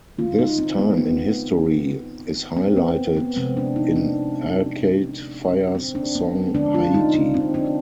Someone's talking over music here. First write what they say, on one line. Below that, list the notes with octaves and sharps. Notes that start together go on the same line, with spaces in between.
This time in history is highlighted in Arcade Fire's song "Haiti".
D3 G3 F4
D#4
C4
B3
B3
C4
B3
B3
C3 F3 G#3 C4
D4
D#4
D4
C4
D4
B3
D3 F3 G#3 D4
F4
D#4
D4
C4
D4